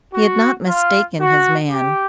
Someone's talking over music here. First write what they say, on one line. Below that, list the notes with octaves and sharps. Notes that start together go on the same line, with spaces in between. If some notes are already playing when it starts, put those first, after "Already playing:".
He had not mistaken his man.
F#4
F4
F#4
G4